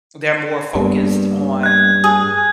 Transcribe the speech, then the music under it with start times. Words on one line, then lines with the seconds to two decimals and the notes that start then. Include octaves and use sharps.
they're more focused on,
0.75 G2 G3 A#3 B3
1.63 F#6 G#6
2.04 G#4 D#6